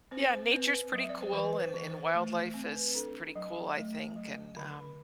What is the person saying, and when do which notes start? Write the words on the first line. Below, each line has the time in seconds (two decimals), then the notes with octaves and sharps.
yeah, nature's pretty cool and, and wildlife is pretty cool, I think, and, um
0.11 C4 C5
0.32 C5
0.51 C4 B4
0.92 F#3 E5
1.09 D5
1.21 C5
1.32 E3 B4
1.60 C5
1.74 E3
1.87 C5
2.14 A3 C5
2.54 C4
2.75 B4
2.95 D4 A4
3.36 F#3
3.76 A3
4.16 F#3
4.57 D3